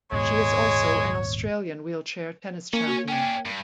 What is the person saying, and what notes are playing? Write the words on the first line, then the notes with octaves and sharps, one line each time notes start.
She is also an Australian wheelchair tennis champion.
D#1 G#2 G#3 B3 C#5
A#3 C#4
F#4
C#4 D4 G5
G2